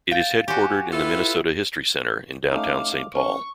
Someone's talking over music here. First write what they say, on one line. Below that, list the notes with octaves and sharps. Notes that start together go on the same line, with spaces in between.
It is headquartered in the Minnesota History Center in downtown Saint Paul.
F5 G5 A6
F#4 G4 G#5
E4 F4 A4 B4
A3 C#4 D#4 F5 D6
C#4 C#6